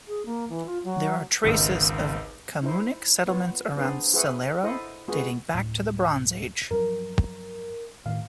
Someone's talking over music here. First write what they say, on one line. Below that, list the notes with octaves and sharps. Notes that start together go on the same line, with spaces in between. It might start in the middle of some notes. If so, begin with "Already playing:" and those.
There are traces of Camunnic settlements around Sellero, dating back to the Bronze Age.
G#4
A#3
E3
F4
F#3
G#1 C#2
D#4 E4 C5
B3 F4 C#5
B3 C4 D4 G#4 C5
F#4 G#4 B4 C5 E5 F#5
E4 A4 C5 D#5 F#5
G#3 B3 F4 F#4 G#4
D1 A2
G2 F3 F#3 A#4
A2 D#3 A3 F5